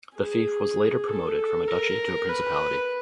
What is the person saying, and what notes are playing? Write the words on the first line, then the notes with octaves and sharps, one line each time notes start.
The fief was later promoted from a duchy to a principality.
G#4
A4
A#4
B4